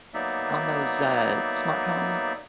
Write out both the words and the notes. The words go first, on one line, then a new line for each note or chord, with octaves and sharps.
on those, uh, smart home
F#3 A#3 B3 D#4 D5 E5